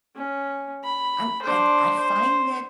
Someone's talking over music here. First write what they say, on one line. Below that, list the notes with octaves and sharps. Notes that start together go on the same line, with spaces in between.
I'm I'd I find that,
C#4
B5
D4 C5
C5